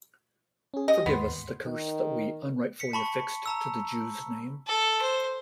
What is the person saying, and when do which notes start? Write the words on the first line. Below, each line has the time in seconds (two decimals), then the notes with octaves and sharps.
Forgive us the curse that we unrightfully affixed to the Jews' name.
0.74 C#4 G#4
0.88 G4 D#5 D#6
1.06 D#2 G#2 B3 C6
1.64 D#3
2.80 B6 C#7
2.93 A5 B5 C#6
3.46 A5 A#5 E6
4.67 A4
5.01 C5